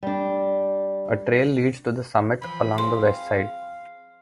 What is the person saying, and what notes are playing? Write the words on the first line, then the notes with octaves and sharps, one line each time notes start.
A trail leads to the summit along the west side.
G3 D4
E3 F3 B5
C4 G#4 F5 C6